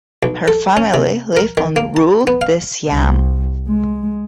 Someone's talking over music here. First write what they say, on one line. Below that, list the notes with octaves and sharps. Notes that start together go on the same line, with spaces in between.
Her family lived on rue de Siam.
B1
A4
C#4
C3
A#4
D#3
A#3
A5
B3
F5
C2
G#3